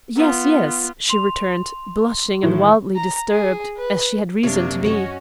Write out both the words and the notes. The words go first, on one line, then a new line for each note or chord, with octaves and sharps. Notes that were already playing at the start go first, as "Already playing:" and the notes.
"Yes, yes," she returned, blushing and wildly disturbed, as she had reason to be.
B3 F4
C6 F7
A2 D#3 E3
A#5
G#4
B4
F#2 C3 A#3 D4 C#5 F5
C#4 F#4 C#5 D#5 A#5